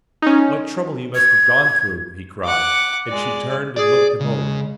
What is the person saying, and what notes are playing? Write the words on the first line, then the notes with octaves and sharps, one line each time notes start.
"What trouble you must have gone through!" he cried, and she turned and looked him over.
C#4 D#4
G#6
F#5 D6
G#3 D5
G#4 D5
C#3 G#3